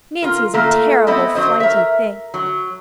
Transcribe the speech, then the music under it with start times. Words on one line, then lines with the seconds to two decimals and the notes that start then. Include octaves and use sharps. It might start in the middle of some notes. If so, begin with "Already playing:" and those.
Nancy is a terrible flighty thing.
0.22 F4 A#4
0.54 A3 A#3 F4
1.07 B3 C4 E4 D#5
1.35 F#3 C5 D#5
1.60 A#4 E5
2.34 F#3